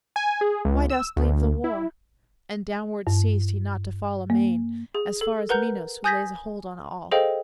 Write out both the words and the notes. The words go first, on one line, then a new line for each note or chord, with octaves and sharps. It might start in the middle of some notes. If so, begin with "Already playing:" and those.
Why dost leave the war?' And downward ceased he not to fall amain As far as Minos, who lays hold on all.
G#5
G#4
C#2
E6
D2
E4
G2
A#3
G#4
A4
A#4 B4 F#5 A#5 G6
G#5 D#6 G6 G#6 A#6 B6
G#4 A4 C5 D#5 F5 G5